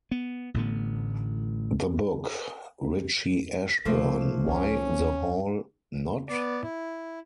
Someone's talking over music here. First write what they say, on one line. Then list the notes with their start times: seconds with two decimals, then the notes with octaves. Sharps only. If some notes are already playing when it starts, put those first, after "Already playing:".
The book, Richie Ashburn: Why The Hall Not?
0.11 B3
0.54 A1 A2 D3 B3
3.85 C3 F3 A3 A#3
4.47 C#2 C#4 F4
4.99 D#2
6.28 B3 D5
6.63 E4